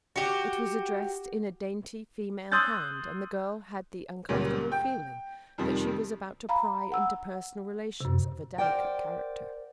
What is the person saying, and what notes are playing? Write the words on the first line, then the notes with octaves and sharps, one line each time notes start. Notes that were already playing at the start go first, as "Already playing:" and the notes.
It was addressed in a dainty, female hand and the girl had the uncomfortable feeling that she was about to pry into personal relations of a delicate character.
F#4 G4
C6 D#6 E6 F#6 G6 A6
C#2 A#2 F#3 G3 A#3 B3
G5
F2 C3 D#3 F3 G3
F5 A#5 B5
F#5 E6
F#2 C3
A#4 C5 D5 F#5 G5